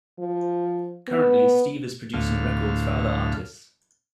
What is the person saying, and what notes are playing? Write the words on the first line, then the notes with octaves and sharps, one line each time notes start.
Currently Steve is producing records for other artists.
F3
B3
D2 A2 F5